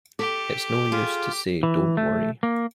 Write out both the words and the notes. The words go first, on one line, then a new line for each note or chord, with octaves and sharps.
It’s no use to say don’t worry.
G4 A4 D6 B6 D7
F4 G#4
E3
A3
A#3